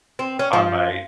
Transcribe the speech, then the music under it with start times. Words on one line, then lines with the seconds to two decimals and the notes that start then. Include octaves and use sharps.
on my
0.19 C4
0.39 C#4
0.53 F3